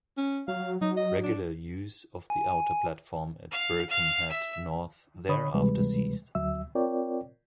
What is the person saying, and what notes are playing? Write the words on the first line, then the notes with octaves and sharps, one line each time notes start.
Regular use of the outer platform at Birkenhead North thereafter ceased.
C#4
F#3 F5
F#3 D#4
D#5
D4
G#5
F5
F5
E5
D3 C#5 B5 D#6
D2 C3 E3 G3 G#3 B4
D2 F#3 E5 E6
C4 F4 A#4 C#5 D5 G5